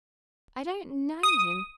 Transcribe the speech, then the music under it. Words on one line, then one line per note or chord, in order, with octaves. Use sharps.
I didn't know him!
D#6